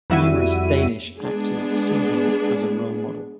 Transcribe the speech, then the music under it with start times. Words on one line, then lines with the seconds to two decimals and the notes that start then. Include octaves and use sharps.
Numerous Danish actors see him as a role model.
0.10 F2 G3 E4 F#4 E5 D#7
1.20 G#3 B3 D4 G#4